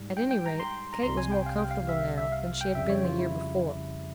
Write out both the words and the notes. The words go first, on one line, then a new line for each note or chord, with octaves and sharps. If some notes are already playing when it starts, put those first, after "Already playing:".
At any rate, Kate was more comfortable now than she had been the year before.
Already playing: G#2 G3
G5
G5
A#5
C6
A#5
C2 C3 G3 C6
G#5
G5
F5
G5
F5
E5
E5
F5
G5
F2 C#3 G3 E5
C#5
F4
E4